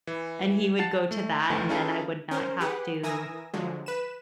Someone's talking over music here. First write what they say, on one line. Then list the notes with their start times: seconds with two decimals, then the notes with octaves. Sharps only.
and he would go to that, and then I would not have to,
0.07 E3
0.79 F#5 A5 A6 C7 E7
1.11 A3
1.50 C#2 G#2 D#3 E3 A3
1.69 C#4 D#4 F4 G#4 A4 B4
2.31 C#4 A#4 C5
2.61 G4 G#4 B4 F#5
3.03 E3 A#4 G#5 D#6 E6 A#6
3.54 D3 F3 F#3 G#3
3.86 B4 E7